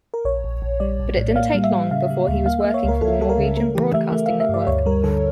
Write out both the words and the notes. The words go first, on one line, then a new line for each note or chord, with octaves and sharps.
But it didn't take long before he was working for the Norwegian broadcasting network.
A#4
A#1 C#5
A#1
A#1
G3 D5
A#1
A2
A#3 F5
G3
E5
G3
C#3 F5
G3
D2
A#3 F5
A#3 E5
C#5
C#2 A#4
C#2 A4
G3 A4
A#4
C#3
A3 A#4
E3 G4
A3 E5
A3 E5
A3 F5
E5
G2 D5
D2 C#5
G3 A#4
D3 A4